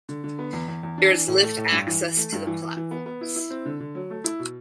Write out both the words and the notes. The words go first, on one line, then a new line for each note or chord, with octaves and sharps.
There is lift access to the platforms.
D3
D3
B3
E2
E2
E2
D4
E3
A2
A3
A2
G2
E3
E3
A3
G2
E3
E3
E3
B3
B3
E4
E4
C4
D3
D3
F#3
A3
E4
B2